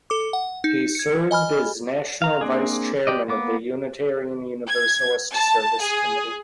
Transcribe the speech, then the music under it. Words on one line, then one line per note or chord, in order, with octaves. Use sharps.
He served as national vice chairman of the Unitarian Universalist Service Committee.
A4 D6
F#5
D#4
G#6 C#7
D#5 G#5 B5 F6
F5 A#5
A#3 C4 D4 G#4
G4 D5 D#5
A#3 B3 D6
G#6
A5
G#4